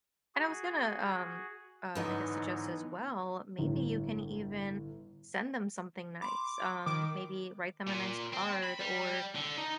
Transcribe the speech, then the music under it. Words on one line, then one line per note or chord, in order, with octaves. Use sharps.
and I was gonna, um, uh, I guess, suggest as well, maybe you can even send them something nice. Um, maybe write them a nice card or
F#4 G#4
G#2 D3 E3 F#3 B3 D#4
G1 A2
B5 C6 D6
D#3 D6
A#2
C4
B5
G3
D3
D#4